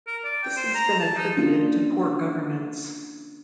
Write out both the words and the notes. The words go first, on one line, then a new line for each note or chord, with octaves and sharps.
This has been attributed to poor governance.
A#4
D5
G5
C5
A#5
A5
D#4
A#3 C#4 D4 F4